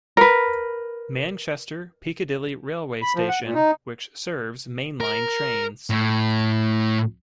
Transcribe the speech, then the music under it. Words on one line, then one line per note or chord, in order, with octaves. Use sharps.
Manchester Piccadilly railway station, which serves mainline trains.
A#4 B4
B5
F3
F#5
A#2
D#4
A#4
A2